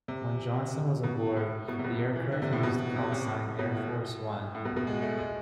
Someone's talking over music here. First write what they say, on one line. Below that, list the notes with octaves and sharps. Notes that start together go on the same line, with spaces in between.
When Johnson was aboard, the aircraft used the callsign Air Force One.
C3
B2
A2
B2
C3
B2
C3
E3
D3
C3
A2
B2
C3
C3
A2
B2
A2
A2
B2
B2
G#3
A3
G#3